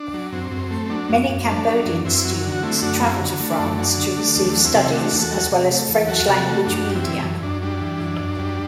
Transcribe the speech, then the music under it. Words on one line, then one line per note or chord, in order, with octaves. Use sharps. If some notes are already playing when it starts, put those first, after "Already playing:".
Many Cambodian students travel to France to receive studies as well as French-language media.
Already playing: D4
F#3
F#2 C4
F#2
A3
C4
F#3 D4
F#2
F#2
A3 D4
F#3
F#2
F#2 C4 E4
F#3
D3
F#4
A3 C4 E4
F#2 D4 F#4
F#3 C4 E4
D3
A3
D4
F#2
F#3 D4
D3
A3
E2 D4
F#3
C4 E4
C3
A3 D4 F#4
E2
F#4 A4
F#3
C3
A3
E2
F#3 F#4 A4
C3
A3
F#2 D4 F#4
G3
C4 E4
E3
F#2
F#2 D4
G3 D4
E3
F#2
F#2
G3